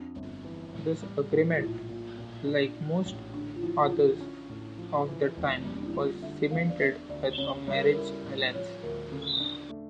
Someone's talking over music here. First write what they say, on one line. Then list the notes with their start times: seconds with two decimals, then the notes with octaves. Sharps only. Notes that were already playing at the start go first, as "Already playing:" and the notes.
This agreement, like most others of the time, was cemented with a marriage alliance.
Already playing: F2 D4
0.16 G1
0.44 E3
0.74 A2
1.02 G3
1.32 A2
1.56 F4
1.60 A#1 E4
1.89 A#2
2.18 A#2
2.47 D4
2.77 D4
3.05 A1
3.34 D3 D4
3.56 F4
3.62 F3 E4
3.84 F4
3.91 D3 E4
4.21 C#4
4.49 A2
4.78 F3
5.08 E3
5.37 F1
5.62 A#3
5.65 G3 C#4
5.78 D4
5.86 E4
5.94 D3 F4
6.22 D3 E5
6.51 E2 F5
6.70 D5
6.80 D4 E5
7.09 D2 D5
7.38 C#3 C#5
7.67 G3 C#5
7.75 A#4
7.82 A4
7.91 E4 A#4
8.24 A2
8.54 F3 C#5
8.83 D2 A#4
9.12 C#3 A4
9.40 D4
9.69 A3